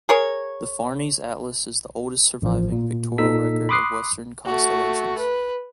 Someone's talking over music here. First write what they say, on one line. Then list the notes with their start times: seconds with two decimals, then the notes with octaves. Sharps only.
The Farnese Atlas is the oldest surviving pictorial record of Western constellations.
0.09 G#4 A#4 C#5
2.42 A1 F3
2.72 A#2
3.18 A#2 D#4 A4 E6 B6
3.69 B5 C6 D6 D#6 F#6 C7
4.45 A3 F#4
5.18 B4